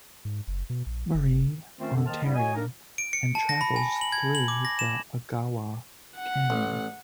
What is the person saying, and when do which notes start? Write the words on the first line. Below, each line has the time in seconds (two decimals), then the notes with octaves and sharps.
Marie, Ontario and travels through the Agawa Canyon.
0.25 G#2
0.47 F#1
0.70 B2
0.86 A#1
1.14 F#1
1.79 D#3 A3 C4 C#4 F4 C5
1.93 F#2 D3
2.06 D#3 A#3 C5 D#5 A5 F6
2.23 E2 G2 C#3 G3 B3 E4
2.35 F#4 C#5 D#5 G#5
2.54 A#3 D4 D#4 A#4
2.98 D7
3.13 C#7
3.35 A5
3.49 A#6
3.61 B5
3.76 G#5
4.01 F#7
4.12 G#6
4.35 F#7
4.48 D6
4.65 A#6
4.79 E7
6.18 F#5
6.50 A1